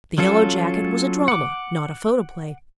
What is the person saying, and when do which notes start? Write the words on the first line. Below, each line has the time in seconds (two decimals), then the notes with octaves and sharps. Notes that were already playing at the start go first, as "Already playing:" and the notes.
The Yellow Jacket was a drama, not a photoplay.
0.18 F#3 C#4 F4 A4
1.28 F#5 D6